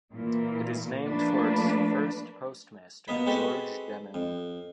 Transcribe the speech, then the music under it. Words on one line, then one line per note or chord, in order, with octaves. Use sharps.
It is named for its first postmaster, George Deming.
A#2 E3 A#3
F3 A3 A#3 D4 B4
B2 A#3 B3 D#5 B5
G#3 C4 F#4 G4 A4 B4
F2